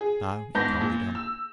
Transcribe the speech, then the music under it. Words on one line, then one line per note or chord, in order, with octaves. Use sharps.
Now, it can't be done.
G#4
G#2 B3 A5 G6 A#6
A#2
E6